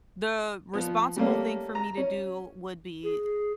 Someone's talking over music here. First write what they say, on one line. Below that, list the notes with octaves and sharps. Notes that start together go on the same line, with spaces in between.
the responsible thing for me to do would be
F3 B3
G3 A3 A#3 C#4
A#5
C#4
G#4